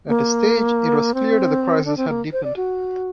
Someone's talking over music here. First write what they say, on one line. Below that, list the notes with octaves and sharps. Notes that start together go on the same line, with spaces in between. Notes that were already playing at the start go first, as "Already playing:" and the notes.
At this stage, it was clear that the crisis had deepened.
A#3
C4
D4
C4
A#3
C5
D5
F#4